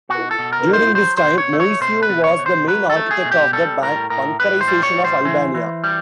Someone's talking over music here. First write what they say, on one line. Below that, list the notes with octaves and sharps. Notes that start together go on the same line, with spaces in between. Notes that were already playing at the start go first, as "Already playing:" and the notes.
During this time Moisiu was the main architect of the bunkerisation of Albania.
B2 F#4
A4
B2
A#4
B2
C5
F#3 C5
C5
B2
C#5
A3
C#5
B2 C5
B4
B2
C#5
B2
C5
F#3 B4
A4
A3
G#4
B2
G4
G3 A4
A2 A#4
A2 A#4
A2 B4
C5
G3
C#5
A2
C5
E3
E3
G3